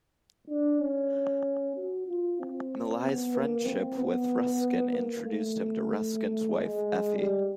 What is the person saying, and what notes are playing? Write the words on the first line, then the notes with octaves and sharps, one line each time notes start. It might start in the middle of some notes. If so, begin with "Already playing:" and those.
Millais's friendship with Ruskin introduced him to Ruskin's wife Effie.
D4
C#4
F#4
F4
C4
B3
A#3
C4
B3
A#3
A3
G#3
G3